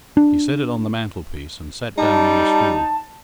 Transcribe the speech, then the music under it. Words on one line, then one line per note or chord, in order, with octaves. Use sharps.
He set it on the mantelpiece, and sat down on the stool.
D4
G3 D#4 A5